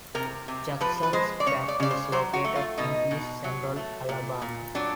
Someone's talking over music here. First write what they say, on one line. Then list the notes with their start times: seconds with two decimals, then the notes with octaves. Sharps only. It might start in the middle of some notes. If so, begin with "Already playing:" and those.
Jackson's Gap is located in east- central Alabama.
0.15 C3 A#4
0.48 C3
0.81 F3 B4
1.03 B4
1.13 G#3 C5
1.40 D5
1.46 C#3 C#5
1.68 D5
1.80 C#3 D5
1.91 C5
2.12 F#3 C5
2.33 F#4
2.45 A3
2.55 F4
2.78 B2 D#4
3.11 B2
3.44 F#3
3.76 A3
4.09 A#2
4.42 A#2
4.75 F#3 D4